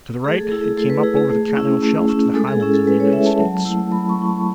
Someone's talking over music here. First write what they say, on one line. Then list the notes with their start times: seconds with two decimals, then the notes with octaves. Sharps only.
To the right, it came up over the continental shelf to the Highlands of the United States.
0.24 A3 G#4
0.38 A4
0.51 E4 G#4
0.64 G#4
0.77 A3 A4
0.90 B4
1.03 E4 G#4
1.17 G#4
1.30 A3
1.55 C#4 E4
1.82 A3
2.08 C#4 E4
2.34 G#3 A4
2.48 G#4
2.60 C#4 E4 G#4
2.74 A4
2.87 G#3 B4
3.00 C#5
3.12 C#4 E4 E5
3.26 A5
3.40 F#3
3.65 A3 E4
3.92 F#3 B5
4.09 C#6
4.18 A3 E4
4.27 A5